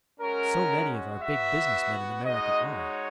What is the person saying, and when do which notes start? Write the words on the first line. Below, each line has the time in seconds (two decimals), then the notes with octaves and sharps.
So many of our big business men in America are.
0.20 G#3 C#4 F#4 A#4
1.22 B3 F#4 E5
2.24 G#3 D#4 F#4 D#5
2.76 C#5